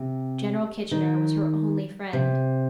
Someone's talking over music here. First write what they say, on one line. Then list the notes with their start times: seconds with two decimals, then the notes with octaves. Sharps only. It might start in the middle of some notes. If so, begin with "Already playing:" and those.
General Kitchener was her only friend.
Already playing: C3
0.91 D#3
2.13 C3